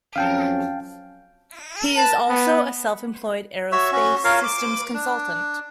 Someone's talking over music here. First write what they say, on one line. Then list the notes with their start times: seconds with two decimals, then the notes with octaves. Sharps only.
He is also a self-employed aerospace systems consultant.
0.16 F2 F#3 C#4 F5 G5 A5
1.97 A5
2.29 B3
3.72 F#4 C#5 E5 E6
3.92 C#4 F#4
4.24 F4 A#4 C#5 F5
4.43 D6
4.94 D4